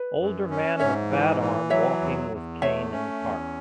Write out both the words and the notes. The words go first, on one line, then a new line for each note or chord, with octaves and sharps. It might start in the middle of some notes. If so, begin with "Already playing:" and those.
Older man with bad arm walking with cane in park.
Already playing: B4
F#2
C#4
G#2 C#5 E5
E3
E3
F#3 C#5 E5
E2
E2
A3 C#5 E5
C#4
E2